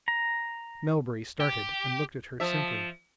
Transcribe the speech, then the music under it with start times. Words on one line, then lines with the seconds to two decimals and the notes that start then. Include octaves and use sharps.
Melbury started, and looked at her simply.
0.08 A#5
1.40 G4
2.40 F3 E5